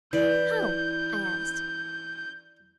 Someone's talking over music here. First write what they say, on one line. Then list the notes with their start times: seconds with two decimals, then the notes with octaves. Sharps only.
"How?" I asked.
0.13 E3 D5 G6